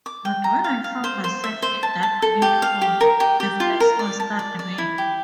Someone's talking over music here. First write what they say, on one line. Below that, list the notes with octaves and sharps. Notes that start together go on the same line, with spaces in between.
But when I found myself in that neat hall the place mastered me.
D6
G5
A#5
F5
F5
C5
C5
E5
C5
A5
A5
A4
G4
F5
G4
A#4
G4
G4
F4
A#4
D5
A5
D5
D5
E4
G4